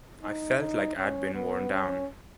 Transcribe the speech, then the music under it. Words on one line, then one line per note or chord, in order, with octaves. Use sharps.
I felt like I'd been worn down.
D#4
D#4
C#4
B3
C#4